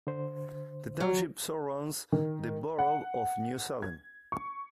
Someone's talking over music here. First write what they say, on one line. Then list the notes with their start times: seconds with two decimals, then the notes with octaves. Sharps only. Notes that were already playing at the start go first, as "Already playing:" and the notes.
The township surrounds the borough of New Salem.
0.07 D3 C5
1.00 F#3
2.12 D#3
2.79 F#5
3.82 G#6
4.32 C#6